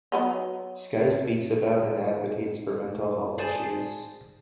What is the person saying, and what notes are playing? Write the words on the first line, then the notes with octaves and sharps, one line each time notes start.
Sky speaks about and advocates for mental health issues.
F#3 B3 D#4
G#4 C5 D5 G#5 A5